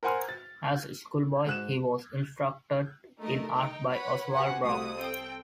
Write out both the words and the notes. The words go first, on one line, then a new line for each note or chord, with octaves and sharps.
As a school boy he was instructed in art by Oswald Brock.
A#4 C5 F#5 G#5 C6 F6
A6
G#2 F#6 E7
G3 A3 D#4 A#4 D#5
D#4 G5
B4 C#5 F#5 B5
F#4 G4 B4 C5 F#5 G#5
C2 F2 A3 F#4 D#6
C4 A4 G5